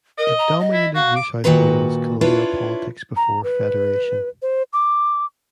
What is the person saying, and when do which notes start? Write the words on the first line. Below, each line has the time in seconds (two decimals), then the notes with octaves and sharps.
It dominated New South Wales colonial politics before federation.
0.18 A#4 D#5
0.39 A#5
0.60 D#5
0.73 E4
0.95 F#4 F5
1.16 D6
1.44 A#2 D#3 F#4 B4 A#5
2.21 D4 E4 F4 B4 C#5
3.16 A#5
3.43 B4
4.42 C5
4.73 D6